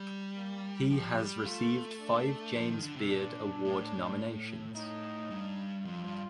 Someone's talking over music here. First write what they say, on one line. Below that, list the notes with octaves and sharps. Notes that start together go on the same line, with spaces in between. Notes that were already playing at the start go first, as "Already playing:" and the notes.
He has received five James Beard Award nominations.
Already playing: G3
A#3
F3 G4
G3
A3 F4
D4
F3
D#3
D3
C3
A#2 D4
A2
A2 D#4
G2
F2 F4
G2